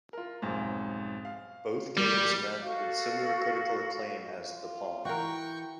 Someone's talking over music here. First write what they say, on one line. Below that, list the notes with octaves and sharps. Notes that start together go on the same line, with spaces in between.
Both games met with similar critical acclaim as "The Pawn".
F4 A#4
B1 F2 G#2
F5
G3 A#3
F#4 A4 F5
F4
E3 F#4 A#4 G5 C#6